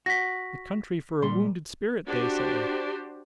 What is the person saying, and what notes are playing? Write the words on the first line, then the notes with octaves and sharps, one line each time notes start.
The country for a wounded spirit, they say.'
F#4 A#6 B6
A#2 G3 C6
D4 F#4 G4 C5